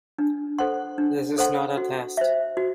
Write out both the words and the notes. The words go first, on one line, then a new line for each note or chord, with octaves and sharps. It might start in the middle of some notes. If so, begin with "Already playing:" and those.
This Is Not a Test!
D4
A4 C5 F#5 C6
D4
A4 C5 F#5 C6
F#4
C5 E5
F#4